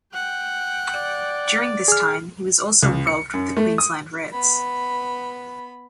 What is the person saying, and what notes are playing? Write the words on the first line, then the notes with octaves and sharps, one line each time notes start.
During this time he was also involved with the Queensland Reds.
F#5 G5
D5
G#4 F6
C#2
C#7
F#2
A3
D#6
B3 B5